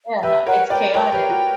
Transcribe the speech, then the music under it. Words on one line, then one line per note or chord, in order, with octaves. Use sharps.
yeah, it's chaotic,
G4 B4 E5
A#4 C#5 F#5
B4 D5 G5
A#4 C#5 G5
G4 B4
F#4 A#4